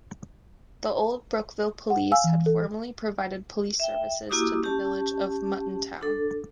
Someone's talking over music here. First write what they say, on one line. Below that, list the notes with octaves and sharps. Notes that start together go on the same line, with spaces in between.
The Old Brookville Police had formerly provided police services to the Village of Muttontown.
F#5
F5 G#5 E6
E3
A4
E5 G5
A#3 E4 F#4 G4 D6 D#6
C#4 G4 A5
D4 A4